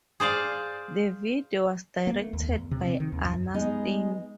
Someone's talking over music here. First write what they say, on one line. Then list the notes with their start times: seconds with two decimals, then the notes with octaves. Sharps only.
The video was directed by Ana Sting.
0.20 G#4 C5 D5 F5
2.07 A#3
2.19 A3
2.33 D#2
2.49 E2
2.71 C3
2.86 C4
3.00 D#3
3.12 D#2
3.25 F#2
3.54 G#3 B3 D#4